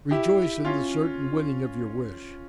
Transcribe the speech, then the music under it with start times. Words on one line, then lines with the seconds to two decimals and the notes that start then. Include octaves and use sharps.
Rejoice in the certain winning of your wish!
0.11 E4 G4
0.65 C#4 F4